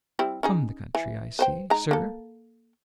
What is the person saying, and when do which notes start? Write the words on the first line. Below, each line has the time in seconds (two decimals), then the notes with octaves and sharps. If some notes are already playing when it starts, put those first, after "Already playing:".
'From the country, I see, sir?'
0.19 G3 C4 E4
0.43 C#4 D#4 G#4
0.95 E3
1.39 B4 C5 G5
1.70 G#3 D#4 A#5
1.91 A#3 A4